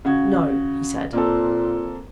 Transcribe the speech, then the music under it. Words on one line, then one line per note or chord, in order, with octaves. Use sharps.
"No," he said.
C#3 F#4 G#6
A#2 A#3 C4 A4